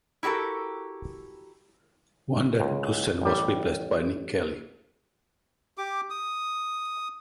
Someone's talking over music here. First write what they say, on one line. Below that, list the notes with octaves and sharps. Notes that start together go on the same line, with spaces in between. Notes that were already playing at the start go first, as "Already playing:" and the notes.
Van der Dussen was replaced by Nick Kelly.
E4 F#4 G4 A4 A#4
C#2
A1 G3
G4 D6
D#6